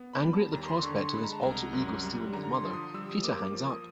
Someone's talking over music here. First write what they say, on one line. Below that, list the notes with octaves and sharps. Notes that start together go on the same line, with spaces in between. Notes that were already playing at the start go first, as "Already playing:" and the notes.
Angry at the prospect of his alter ego stealing his mother, Peter hangs up.
Already playing: B3
B5
G3
A5
D#2 A#5
C6
D3 C#6
C6
G#3 B5
A#5
A5
C2 A#5
F#2
G3
D3 A#5
C6
F3
D#6
G3 E6
D#6
A#3 D6
D6
F3
D#6